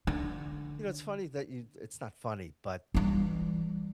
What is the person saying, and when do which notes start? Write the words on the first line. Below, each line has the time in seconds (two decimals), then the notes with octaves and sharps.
You know, it’s funny that you it’s not funny, but
0.07 D3
2.94 E3 G3